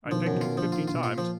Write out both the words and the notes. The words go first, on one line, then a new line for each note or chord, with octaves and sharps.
I thank you fifty times.
D3
B2 D#3 F3
F#2
B2 D#3
F4
A#2 D3 F3
D#3 F4
D3 F4
B2
A#2 F4
F3